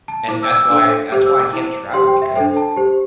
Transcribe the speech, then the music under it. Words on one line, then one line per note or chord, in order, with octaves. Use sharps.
And that's why that's why I can't travel because
A5
E4 C5 D6
E6
D6
E6
D4 A4 C5 E6
G4 C5 D6
E6
D6
E4 C5
G4 C5 C6
G5
E5
D4 A4 C5 G5
A5
G4 C5